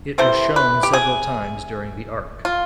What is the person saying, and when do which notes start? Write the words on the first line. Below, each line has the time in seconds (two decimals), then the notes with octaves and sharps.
It was shown several times during the arc.
0.18 C3 E3 A3 C4 C5
0.56 B4
0.83 G4
0.93 G#4
2.45 F4